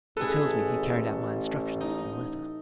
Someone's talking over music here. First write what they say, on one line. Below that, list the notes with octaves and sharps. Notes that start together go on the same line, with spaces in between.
He tells me he carried out my instructions to the letter.
A1 G#4 A4 B4
D#4